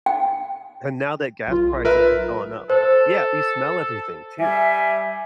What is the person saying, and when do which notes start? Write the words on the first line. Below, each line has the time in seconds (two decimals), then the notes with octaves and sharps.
and now that gas prices have gone up Yeah, you smell everything too.
0.06 G5
1.47 B1 F4
1.85 A#4 B4 E5
2.70 A4 C5
4.39 G3 E5 G#5